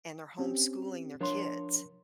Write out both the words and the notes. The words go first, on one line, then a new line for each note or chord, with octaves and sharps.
and they're homeschooling their kids.
C4 C#4 G4
F3 D4 A#4 C#5 C6